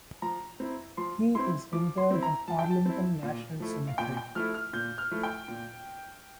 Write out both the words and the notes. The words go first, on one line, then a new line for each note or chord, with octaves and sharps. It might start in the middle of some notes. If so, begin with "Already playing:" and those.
He is interred in Arlington National Cemetery.
F3 A#5
C4 E4
F3 C6
C4 E4 C6
F3 D6
C6
C4 E4
A#5
F3 A5
G5
A5
C4 E4
A#2
F3 A3 E4
F5
A#2 G5
G5
F3 A3 E4 F6
F6
A#2 G6
F6
F3 A3 E4
G5
A#2